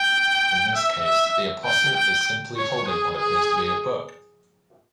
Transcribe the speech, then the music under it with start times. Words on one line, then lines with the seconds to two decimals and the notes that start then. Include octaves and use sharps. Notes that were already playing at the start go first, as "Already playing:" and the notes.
In this case the apostle is simply holding what appears to be a book.
Already playing: G5
0.75 E5
1.05 E5
1.65 G5
1.96 G5
2.57 C#5
2.88 G#4
3.18 G#4